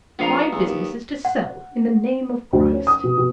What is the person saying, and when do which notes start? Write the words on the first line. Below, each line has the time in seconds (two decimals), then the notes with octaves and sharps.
My business is to sell in the name of Christ.
0.19 A#1 B3 F5 A#5
0.52 E2
0.67 D#2
1.25 F#5
2.53 D2
2.72 C#4
2.87 D#6
3.04 B2
3.18 B2